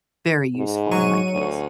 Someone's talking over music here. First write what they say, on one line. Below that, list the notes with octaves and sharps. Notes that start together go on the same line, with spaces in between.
very useful, in my case.
G#2
F#3 C#6 D#7
D2